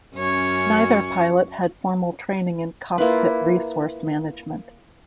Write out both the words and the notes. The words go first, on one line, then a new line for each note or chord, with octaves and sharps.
Neither pilot had formal training in cockpit resource management.
F#2 C#4 C#5
A#3 E4 F4 B4